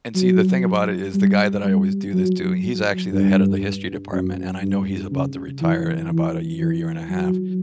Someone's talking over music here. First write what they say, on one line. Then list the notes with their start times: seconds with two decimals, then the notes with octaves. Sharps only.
And see, the thing about it is the guy that I always do this to, he's actually the head of the history department, and I know he's about to retire in about a year, year and a half,
0.15 F#3
1.14 G3
1.64 G3
2.13 F#3
2.63 F#3
3.12 G2
4.12 F#2
4.62 G2
5.11 C#3
5.61 E3
6.11 E3
6.60 E3
7.09 F#3